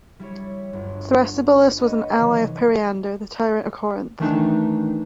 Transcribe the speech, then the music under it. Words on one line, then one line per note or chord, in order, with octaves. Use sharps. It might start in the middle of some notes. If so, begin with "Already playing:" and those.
Thrasybulus was an ally of Periander, the tyrant of Corinth.
G3 E4 C#5
G1 D2
F#4 G4 A4 B4 C#5 D#5
C3 D#3 E3 F#3
D#3 E3 A3 D4 D#4